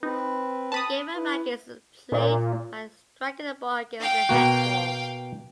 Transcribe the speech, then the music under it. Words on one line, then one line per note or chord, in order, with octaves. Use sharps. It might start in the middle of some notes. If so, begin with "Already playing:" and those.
The game of rackets is played by striking a ball against a headwall.
C4 D#4 B4
A5 B5 D#6
E4 B4
A#2
F5 G5
B2 A#3 F#4